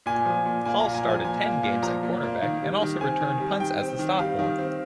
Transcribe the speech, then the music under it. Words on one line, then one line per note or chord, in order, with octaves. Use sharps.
Hall started ten games at cornerback and also returned punts as a sophomore.
A#2 G#5
F3
A#2
A#3 G#5
A#2 A#5
G#5
F3
G#5
A#2 G#5
A#3
A#2
F3 A#5
A#2
A#3
D#3
G3
D#3
C4 G#5
D#3
G3
D#3 G5
C4
D#3
G3 F5
D#3
C4